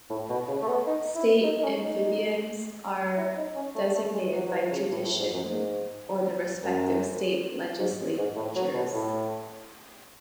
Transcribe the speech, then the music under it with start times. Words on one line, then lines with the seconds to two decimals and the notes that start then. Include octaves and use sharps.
State amphibians are designated by tradition or the respective state legislatures.
0.10 A2
0.29 B2
0.48 C#3
0.62 A3
0.68 B3
0.86 D#4
1.15 E4
1.44 D#4
1.59 D#4
1.63 C#4
1.83 D#4
3.17 E4
3.37 D#4
3.55 C#4
3.75 A3
3.94 A3
4.13 G#3
4.25 E3
4.33 F#3
4.47 F#3
4.51 E3
4.71 C#3
4.90 A2
5.05 A2
5.19 G#2
5.33 F#2
5.48 G#2
6.63 F#2
7.78 G#2
8.17 G#2
8.35 A2
8.55 F#3
8.74 B2
8.93 A2